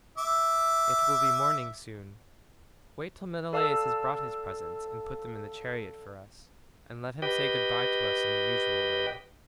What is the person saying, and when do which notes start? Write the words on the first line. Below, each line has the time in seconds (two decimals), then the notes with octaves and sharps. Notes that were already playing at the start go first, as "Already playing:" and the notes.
It will be morning soon; wait till Menelaus has brought his presents and put them in the chariot for us; and let him say good bye to us in the usual way.
0.18 E5 D6
3.53 A4 D5 F5 A5 E6
7.22 G4 B4 D#5 G5